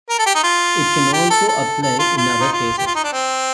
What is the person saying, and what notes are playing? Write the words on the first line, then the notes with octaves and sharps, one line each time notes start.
It can also apply in other cases.
A#4
A4
G4
D#4
F4
G4
A4
A4
A4
F4
F4
D#4
F4
G4
F4
D#4
D4
C4